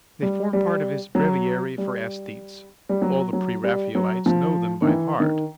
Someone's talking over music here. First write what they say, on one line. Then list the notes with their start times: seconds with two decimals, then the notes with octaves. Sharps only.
They form part of his "Breviary for Aesthetes"; all the Pre-Raphaelites know them by heart.
0.22 G3
0.53 G3
1.15 F#3
1.78 G3
2.89 G3
3.02 F#3
3.33 F#3
3.64 G3
3.95 F#3
4.26 F3
4.82 D#3
4.88 E3
5.20 D#3